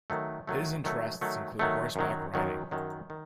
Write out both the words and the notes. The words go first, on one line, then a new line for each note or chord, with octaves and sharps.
His interests include horseback riding.
D#3 F#3 A3
D#3 F#3 A3
D#3 F#3 A3
D#3 F#3 A3
D#3 F#3 A3
F#2 D#3 F#3
F#2 D#3 F#3
F#2 D#3 F#3
D#3